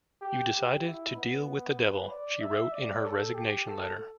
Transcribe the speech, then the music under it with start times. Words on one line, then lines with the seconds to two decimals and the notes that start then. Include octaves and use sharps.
"You decided to deal with the devil", she wrote in her resignation letter.
0.22 G4
0.53 G4
0.85 E4
1.16 B3
1.78 B4
2.10 D5
2.41 E5
2.72 D5
3.04 A4
3.35 G4
3.67 A4